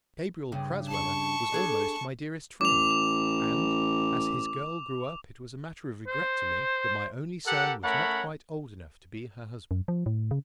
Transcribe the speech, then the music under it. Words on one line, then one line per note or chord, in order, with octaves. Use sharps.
Gabriel Crasweller was almost my dearest friend, and as his girl grew up it was a matter of regret to me that my only son was not quite old enough to be her husband.
G2 C#3
A5 C#6
D4 G#4 A4
A1 D6 F7
C5
G4 A4 A#4 F#5
A3 C#4 A#4 C#5 F#5 B5
F#2
F3
A2
C#3